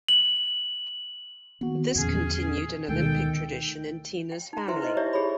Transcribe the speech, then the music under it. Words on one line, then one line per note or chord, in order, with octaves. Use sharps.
This continued an Olympic tradition in Tina's family.
F#7
D#3 A#3 B3 F#4
E2 A#2 D3 E3 F3 C#4 G#4
D2 B2 D#3 G#3 A3 A4 G5
G5
D#4 A#5
E4 B4 C5 E5 G5 C6
D#4 B4 C5 D#5
E4 G4 C#5 D5 E5
G4 G#4 C#5 B5